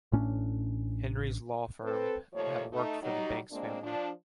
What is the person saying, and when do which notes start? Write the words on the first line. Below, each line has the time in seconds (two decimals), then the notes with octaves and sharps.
Henry's law firm had worked for the Banks family.
0.12 A1 A2 C#4 D4
1.83 C4 A4 B4
2.33 D#2 A#2 F3 A3 C#5
2.73 A3 D#4
3.02 F#3 G3 D#4
3.51 A#2 G#3 A#3 C4 D4
3.82 F3 D4